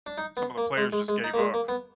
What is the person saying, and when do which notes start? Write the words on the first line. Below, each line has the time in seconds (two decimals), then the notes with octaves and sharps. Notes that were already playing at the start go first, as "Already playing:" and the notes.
some of the players just gave up.
0.06 D4
0.18 D#4
0.37 B3
0.58 A#3
0.77 G#3
0.93 G#3
1.08 G#3
1.24 D#4
1.34 A#3
1.39 G#3
1.54 A#3
1.69 B3